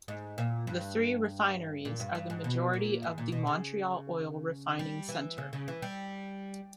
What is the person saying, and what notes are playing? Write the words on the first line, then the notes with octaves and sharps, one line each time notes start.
The three refineries are the majority of the Montreal Oil Refining Center.
G#2
A#2
G2
A#2
G2
G2
G#2
B2
A#2
G#2
A#2
B2
C#3
G3
E3
C#3
C#3
E3
G3